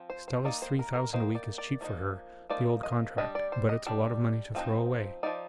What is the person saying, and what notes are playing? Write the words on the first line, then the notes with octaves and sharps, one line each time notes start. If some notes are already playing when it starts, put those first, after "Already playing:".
Stella's three thousand a week is cheap for her, the old contract, but it's a lot of money to throw away.
Already playing: F3 C4
C5
C5
D#3 A#3 D#4 D5
C5
A#4
A#4
D#3 A#3 D#4 C5
D5
D5
F3 A#3 D#4
F3 A#3 D#4 D5
D#5
G3 D4 D#5
D5
C5
D#5
G3 D4
F3 C4 D#4
F3 C4 D#4 D5